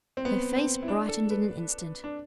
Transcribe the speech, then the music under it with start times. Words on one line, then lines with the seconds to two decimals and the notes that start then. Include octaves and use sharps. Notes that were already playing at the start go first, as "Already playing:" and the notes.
Her face brightened in an instant.
0.17 C4
0.25 B3
0.56 C4
0.83 E4
0.88 D4
1.09 A4
1.30 B4
2.04 D4